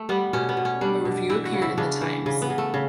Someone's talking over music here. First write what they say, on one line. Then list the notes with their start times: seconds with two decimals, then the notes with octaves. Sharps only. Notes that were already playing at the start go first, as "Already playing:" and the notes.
A review appeared in "The Times".
Already playing: A3
0.09 G3 B3
0.33 B2 C#4
0.49 B3
0.57 B2
0.65 C#4
0.81 G3 D4
1.05 B2
1.29 E3 E4
1.46 F#4
1.53 C#3
1.62 E4
1.78 C#3 D4
2.01 E3
2.26 C#3
2.42 B3
2.50 C#3
2.58 A3
2.74 C#3